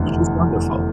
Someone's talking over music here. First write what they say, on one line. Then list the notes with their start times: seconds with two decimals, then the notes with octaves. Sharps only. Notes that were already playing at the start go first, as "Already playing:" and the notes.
which was wonderful.
Already playing: F1 E2 D3